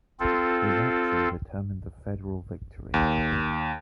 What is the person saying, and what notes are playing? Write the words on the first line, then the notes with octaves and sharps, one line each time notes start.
His action determined the federal victory.
C4 F4 A4
D#2